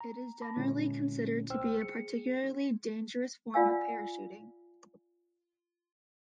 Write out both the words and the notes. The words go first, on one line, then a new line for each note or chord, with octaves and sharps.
It is generally considered to be a particularly dangerous form of parachuting.
A#5
A5 B5 D6 A#6
A#2 D3 G#3 C#4 E4
C2 C5 G5 E6 F6
G#4 C#7
F4 D5 F5 F#5 G#5 E6